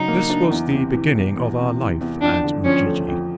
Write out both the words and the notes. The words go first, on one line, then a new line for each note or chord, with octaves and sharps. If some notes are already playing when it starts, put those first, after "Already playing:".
This was the beginning of our life at Ujiji.
Already playing: C#3 F#3 D4 D#4
A#3
D4
E2
C3
E3
E2
E2
C3
E3
E2
F2 D4
D3
F3 C#4
A3
F2